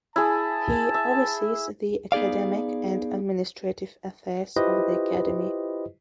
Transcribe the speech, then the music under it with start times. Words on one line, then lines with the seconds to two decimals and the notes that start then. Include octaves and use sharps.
He oversees the academic and administrative affairs of the academy.
0.16 E4 G#4 A5
0.94 E5
2.12 B3 D#4 G#4 D5 F5
4.56 E4 F4 G4 B4 C5 D#5